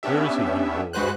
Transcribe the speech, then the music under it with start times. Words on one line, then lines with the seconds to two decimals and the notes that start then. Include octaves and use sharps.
"Where is he?" he roared.
0.03 B3 C#4 D4 G4 E5
0.93 G2 G#3 F#4 B4 C5 F#6